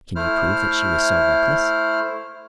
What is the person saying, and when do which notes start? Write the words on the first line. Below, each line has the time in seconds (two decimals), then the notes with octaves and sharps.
"Can you prove that she was so reckless?"
0.16 A3 E4 C5 F6